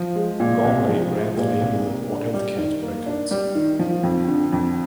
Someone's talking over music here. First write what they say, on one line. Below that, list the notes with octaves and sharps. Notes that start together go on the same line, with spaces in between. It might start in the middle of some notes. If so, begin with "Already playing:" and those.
Gormley ran the label Wildcat Records.
Already playing: F3
G#3
A#2
C2
F3
G#3
A#2
C2
A#3
D4
G3
D#3
A#3
D4
G3
D#3
F3
F2
D3
F2